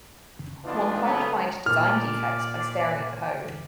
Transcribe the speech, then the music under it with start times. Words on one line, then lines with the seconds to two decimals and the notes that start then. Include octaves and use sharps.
One can't find design defects by staring at code.
0.65 A2 E3 B3 D4 D#4 F4
1.04 C#3 F#3 A3 B3
1.66 A#2 D5 F6